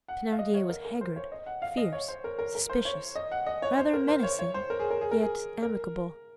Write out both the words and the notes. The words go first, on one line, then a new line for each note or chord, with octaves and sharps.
Thenardier was haggard, fierce, suspicious, rather menacing, yet amicable.
F#5
F5
D#5
C#5
A#4
A#4
C5
C#5
D#5
F#5
F5
D#5
C#5
C5
A#4
A#4
A#4
C5
C#5
D#5
F#5
D#5
C#5
C5
A#4
C5
C#5
C#5
C5
A#4
G#4
A#4
G#4
A#4
G#4
A#4